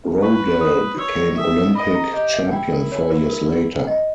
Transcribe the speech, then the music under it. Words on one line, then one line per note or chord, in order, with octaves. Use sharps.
Rodal became Olympic champion four years later.
B4 C#6
D#6
C#5 E6
E5 D#6
D#5 B5
A#5
G4 D#5
E5
E4 G5
A#4
C#5
B4
A#4
B4
D#5